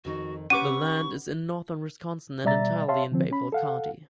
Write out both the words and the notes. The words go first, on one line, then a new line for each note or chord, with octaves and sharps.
The land is in northern Wisconsin and entirely in Bayfield County.
F2 D#3 D#4 F#4
C#4 G4 B4 F#5 C#6 D6 D#7
B2 G3 D5 E5 A#5 A6
C#5 E5 F5 A5 C6
D3 F3 C4
C#4 B5
A4 F5 F#5